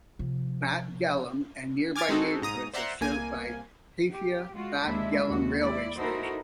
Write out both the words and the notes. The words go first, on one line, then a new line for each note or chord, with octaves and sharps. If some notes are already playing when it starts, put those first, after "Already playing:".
Bat Galim and nearby neighborhoods are served by the Haifa Bat Galim Railway Station.
C3 F3
G#5 D6 F6 G#6 A6
G#3 C4 D#4 F#4 A4
G#2 A#5 D#6
C5 D5 E5 F#5 A#5 C6
C2 A#3 G#5
G4
G#3 F4 F#4
D#2 G#3 D4 E4 E5
D#2 F#4
G#3 E4 D5
D#4 E4 F#4 A4 A#4 C5